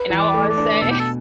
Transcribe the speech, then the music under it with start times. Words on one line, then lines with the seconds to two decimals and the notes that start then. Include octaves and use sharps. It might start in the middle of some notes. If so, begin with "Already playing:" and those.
And I will always say
Already playing: B4
0.10 E3
0.19 D5
0.34 A3
0.50 D5
0.58 D4
0.81 B2 A4
0.91 G4
0.99 A4